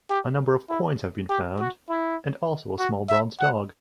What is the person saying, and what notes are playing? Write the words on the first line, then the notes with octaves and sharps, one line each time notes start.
A number of coins have been found and also a small bronze dog.
G4
E4
G4
F#4
E4
F#4
E5
F#5